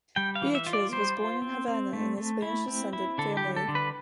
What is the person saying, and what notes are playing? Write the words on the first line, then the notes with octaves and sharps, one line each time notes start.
Beatriz was born in Havana in a Spanish-descendent family.
G3 G5
F5
E3
E5
F4
D5
G3 C5
F4
C4
C4
A3
A3
E4
C4
E4
D3 A4
G4
G3
A4
D3
B4